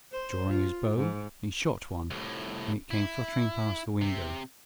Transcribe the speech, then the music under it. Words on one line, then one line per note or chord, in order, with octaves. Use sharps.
Drawing his bow, he shot one, and it came fluttering past the window.
C5
F4
G#2
C2 A2
E4
C3